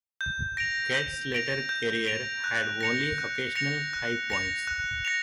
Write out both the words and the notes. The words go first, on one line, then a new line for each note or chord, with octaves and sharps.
Kert's later career had only occasional high points.
G6
A#6 D7 F7
G6
A#6 D7 F7
G6
A#6 D7 F7
F#6
A#6 C#7 F7
F#6
A#6 C#7 F7
F#6
A#6 C#7 F7
F#6
A#6 C#7 F7